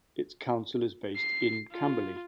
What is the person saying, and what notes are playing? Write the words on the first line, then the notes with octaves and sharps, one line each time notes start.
Its Council is based in Camberley.
C7
F4